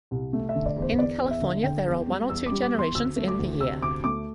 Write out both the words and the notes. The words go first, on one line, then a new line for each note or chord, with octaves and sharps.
In California there are one or two generations in the year.
C2
A3
E5
D3
D5
E2
C5
E2 D5
E2
E5
D3
D3 G5
E2
G3
E2 E6
G3 D6
D6
E2
C6
D2 E6
A3
D6
D2
C3 E6
D2 D6
A3 D6